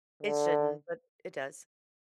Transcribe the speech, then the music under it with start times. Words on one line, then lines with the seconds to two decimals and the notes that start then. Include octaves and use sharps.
It shouldn't, but it does.
0.23 D3